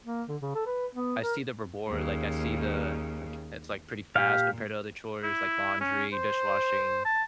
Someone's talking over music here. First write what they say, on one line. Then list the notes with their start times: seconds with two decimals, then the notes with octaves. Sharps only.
I see the reward, like, I see the like, it's like pretty fast compared to other chores like laundry, dishwashing.
0.04 A#3
0.29 D3
0.42 C#3
0.55 A4
0.66 B4
0.95 B3
1.23 A#4
1.88 D#2 C#3
4.16 A#2 G4 F5
5.23 E4
5.81 C#4
6.13 C5
7.05 A5